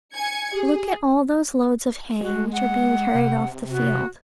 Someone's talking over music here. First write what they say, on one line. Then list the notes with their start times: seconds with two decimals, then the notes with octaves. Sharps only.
Look at all those loads of hay, which are being carried off the field.
0.14 G#5 G#6 C#7
0.53 G4 G#4
2.21 G#3 F#4
2.52 F#5
3.15 C3
3.71 F#4